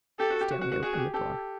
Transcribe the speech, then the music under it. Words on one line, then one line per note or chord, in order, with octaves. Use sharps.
Stanley opened the door.
G4 A4
F#4
G4
F#4
F#4
F#4
F#4 G#4
F#4
G4
G4 A4